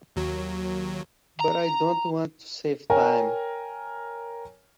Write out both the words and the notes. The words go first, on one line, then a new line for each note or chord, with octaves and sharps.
But I don't want to save time.
D#2 F#3
A#5
A#4 C#5 G5 G#5 A#5